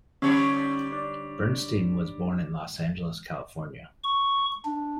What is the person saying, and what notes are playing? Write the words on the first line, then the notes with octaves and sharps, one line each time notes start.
Bernstein was born in Los Angeles, California.
D3 G3 C#4 C#5
D4
C#6
D4